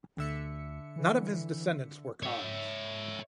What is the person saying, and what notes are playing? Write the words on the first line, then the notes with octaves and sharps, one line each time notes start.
None of his descendants were khans.
D2 D3 E5 C#7
E3
C#5 E5